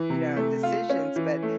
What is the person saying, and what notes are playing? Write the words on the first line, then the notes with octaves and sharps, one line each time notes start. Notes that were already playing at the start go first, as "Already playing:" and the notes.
you know, decisions, but
Already playing: E3
C3
A3
F4
C#4
E3
A3